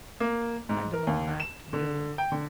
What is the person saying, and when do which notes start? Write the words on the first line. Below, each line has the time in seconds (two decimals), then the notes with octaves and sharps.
Magdalen laughed, bitterly.
0.20 A#3
0.69 G#2
0.94 A#4
1.07 D#2
1.40 E7
1.73 D3
2.18 G5
2.32 D3